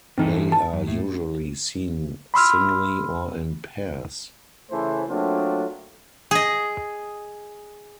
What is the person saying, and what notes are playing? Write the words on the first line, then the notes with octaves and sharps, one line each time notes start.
They are usually seen singly or in pairs.
G2 E3 C4 D#4 A4
A5
F#2
A2
B5 C6 E6 F6
C#3 E3 A3 A4 C5
F#3 A3 A#3 C4 D4 F4
G#4 D#5